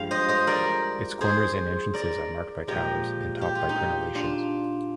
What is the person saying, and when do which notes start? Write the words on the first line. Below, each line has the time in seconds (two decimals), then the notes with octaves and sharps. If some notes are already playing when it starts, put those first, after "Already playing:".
Its corners and entrance are marked by towers, and topped by crenellations.
Already playing: G2 F3 G#3 F5
0.11 C5 D#5
0.28 C5 D#5
0.47 A#4 D5
1.21 G#4 C5
1.94 A#4 D5
2.67 A#2 F3 G#3 G4 A#4
3.41 G4
3.55 F4
3.69 D#4 G4
4.15 D4 F4